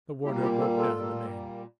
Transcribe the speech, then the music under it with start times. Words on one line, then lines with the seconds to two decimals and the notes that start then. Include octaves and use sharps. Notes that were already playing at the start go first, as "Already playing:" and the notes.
The warder wrote down the name.
0.24 A#2 G3 A#3 E4 G4
0.42 E4 G4
0.60 F4 A4
0.78 F4 A4
0.95 A#2 G3 A#3